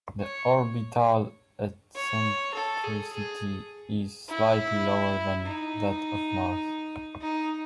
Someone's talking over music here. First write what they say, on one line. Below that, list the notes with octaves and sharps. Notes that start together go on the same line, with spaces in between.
The orbital eccentricity is slightly lower than that of Mars.
C#5
C#5
A4
G#4
G#4
E4
D#4
D#4